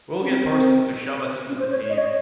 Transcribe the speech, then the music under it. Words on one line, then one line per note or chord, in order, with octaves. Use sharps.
We'll get Parsons to shove us into the team.
C#4
C4
C4
C#4
C5
C#5
D#5
C#5
D#5